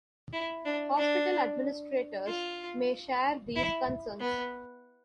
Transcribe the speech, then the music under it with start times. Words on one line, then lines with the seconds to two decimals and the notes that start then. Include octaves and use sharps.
Hospital administrators may share these concerns.
0.33 E4
0.65 D4
0.97 D4
2.27 F4
3.56 E4
4.21 B3